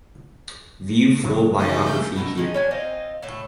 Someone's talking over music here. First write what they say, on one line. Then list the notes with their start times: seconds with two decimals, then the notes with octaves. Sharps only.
View full biography here.
1.24 C3 F3 G#3
1.59 C#3 E3 G#3 C#4 D#4
1.86 C#3 A3 G6
2.16 B2 A3 G4 A#4
2.37 D#3 G#3 D#4
2.54 C#4 D4 G#5
2.71 C4 D#4 F4 D#5
3.22 A2 A3